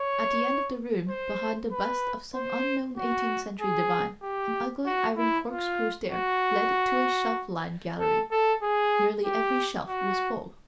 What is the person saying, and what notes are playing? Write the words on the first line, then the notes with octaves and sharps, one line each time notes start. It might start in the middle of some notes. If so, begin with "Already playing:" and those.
At the end of the room, behind the bust of some unknown eighteenth-century divine, an ugly iron corkscrew stair led to a shelf-lined gallery. Nearly every shelf was full.
Already playing: C#5
C5
B4
C5
F#4
G#4
G4
F#4
E4
F4
F#4
A4
A4
G#4
G4
F#4